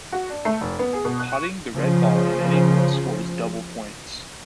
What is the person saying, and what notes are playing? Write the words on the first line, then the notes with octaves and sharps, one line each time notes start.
Potting the red ball in any hole scores double points.
F#4
D4
A3
F1
B3
G#4
B2
F#6
C#6
C#3 F3